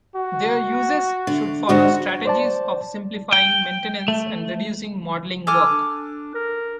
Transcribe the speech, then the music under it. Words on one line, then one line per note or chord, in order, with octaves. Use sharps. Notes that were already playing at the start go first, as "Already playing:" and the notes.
Their usage should follow strategies of simplifying maintenance and reducing modeling work.
F#4
D3
G#2 D3 G#3 F#4
C5 D5 A5
G5
A3
A4 G#5 D6 F6
D4
A#4